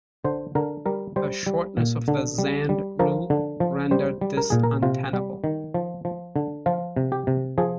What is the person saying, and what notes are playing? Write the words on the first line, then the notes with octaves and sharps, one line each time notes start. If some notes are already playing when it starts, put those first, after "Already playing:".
The shortness of the Zand rule rendered this untenable.
D3 C5
D3 A#4
G3 A#4
G3 C5
G3
A#2
D3
G3
G3
F3 A#4
D3
F3
G3 C5
G3
A#4
A#2 G#4
A#4
C3 F4
G3
D#3
F3
F3
D3
F3 F4
C3
G4
C3
F3 G#4